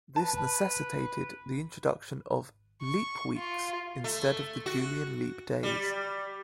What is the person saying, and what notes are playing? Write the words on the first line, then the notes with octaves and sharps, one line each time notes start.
This necessitated the introduction of "leap weeks" instead of the Julian leap days.
B4 A5
C#6
F4
A3
F#4
G3